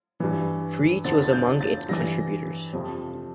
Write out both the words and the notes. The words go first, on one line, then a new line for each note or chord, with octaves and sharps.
Frege was among its contributors.
G2 E3
F2 D3 F3 A6
A6
G6
A6
G2 E3 A#6
F2 C3 F3